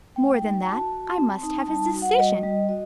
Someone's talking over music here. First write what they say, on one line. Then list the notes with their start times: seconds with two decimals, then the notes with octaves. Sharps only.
More than that, I must have his decision!
0.16 A3 G5
0.42 D#4
0.66 F#4 A5
0.92 F#4
1.17 C4
1.43 D#4
1.68 G3 A5
1.94 F#4
2.02 F#5
2.18 G3 D#5
2.43 G3
2.69 F#4 D#5